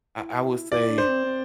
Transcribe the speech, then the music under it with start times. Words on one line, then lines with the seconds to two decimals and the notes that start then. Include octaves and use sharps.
I I will say
0.18 E4
0.71 E4 D5
0.89 D4
0.98 C5
1.08 C4
1.26 C4